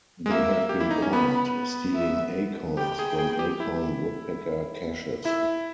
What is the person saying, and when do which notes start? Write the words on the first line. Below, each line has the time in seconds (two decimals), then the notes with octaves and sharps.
They have been caught stealing acorns from acorn woodpecker caches.
0.26 G#3
0.31 A#3 E5
0.69 G4
0.81 E4
0.91 D#4
1.02 C#4
1.13 B3 B5
1.95 E5
2.77 G4 G5
2.99 G#4
3.19 G#4
3.39 G4
3.60 E4
5.25 E4 E5